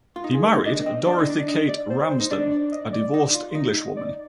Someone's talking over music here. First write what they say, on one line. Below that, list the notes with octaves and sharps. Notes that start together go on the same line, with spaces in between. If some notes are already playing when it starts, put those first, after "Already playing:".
He married Dorothy Kate Ramsden, a divorced Englishwoman.
F4
D#4
G#4
A#4
D#4
D4 D#5
C4 D#5
D4 D5
D#4
D4
D#5
D5
C5
C5
D#4
D4 D5
D5
D#5
D5
D#4
F4
D#4
D5